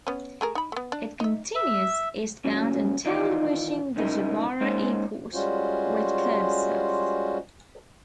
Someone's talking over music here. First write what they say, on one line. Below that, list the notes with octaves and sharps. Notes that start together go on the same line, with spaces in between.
It continues eastbound until reaching the Jabara Airport, where it curves south.
B3 C#4
A3 G#4 A#4
D#4 B5
A3 B3
D4
D#4 E5
E5
A#2 C#3 F#3 C#4
D#3 E3 D#4 F4 D5
C2 G#2 C#3 D#4 E4 A#4
G#3 A#3 C#4 D#4 C5
G3 G#3 C#4 F4 F#4 C5